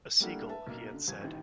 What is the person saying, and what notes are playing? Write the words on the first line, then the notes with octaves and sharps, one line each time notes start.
A seagull, he had said.
G3 A3 A#3 D4 E4 F#5
B4 E5 A5
B1 A#3
D3
D#1 F3 G#6
A1 D#3